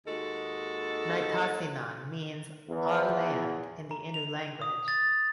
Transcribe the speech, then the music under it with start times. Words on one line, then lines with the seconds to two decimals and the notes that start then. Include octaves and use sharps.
Nitassinan means "our land" in the Innu language.
0.07 D#2 G#3 F#4 A4
2.69 E2
3.91 A#5
4.14 F7
4.62 D#6
4.88 A6